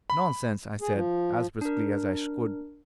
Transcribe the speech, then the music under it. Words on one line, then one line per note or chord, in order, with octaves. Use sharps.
"Nonsense!" I said, as briskly as I could.
B5
G#4
F3
D4 A#4